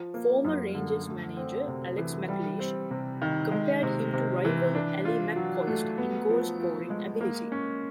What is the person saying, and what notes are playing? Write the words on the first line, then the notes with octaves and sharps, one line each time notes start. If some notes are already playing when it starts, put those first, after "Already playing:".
Former Rangers manager Alex McLeish compared him to rival Ally McCoist in goalscoring ability.
Already playing: F3
A#3
F#2
D3
A3
C4
C3
E3
G3
C4
C3
D#3
G#3
C3
C3
E3
D4
F4
F#3
A3
B3
F3
F3
G#3
A#3
C#4